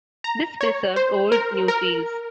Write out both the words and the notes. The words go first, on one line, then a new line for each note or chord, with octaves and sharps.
This preserved old Newfields.
A#5
C#5
C5
A#4
A#4